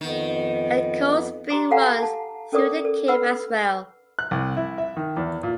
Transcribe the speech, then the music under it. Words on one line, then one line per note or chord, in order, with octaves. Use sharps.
A cold spring runs through the cave as well.
F2 D#3 B3
G4 A#5 D6
A4 F5 F#5 G#5 A#5
A5
C#4 A4 A#4 D5 D6 D#6
A4 D5
B4 F#5 B5 E6
F#6
C2
E4
E5
D#3
E2
A#2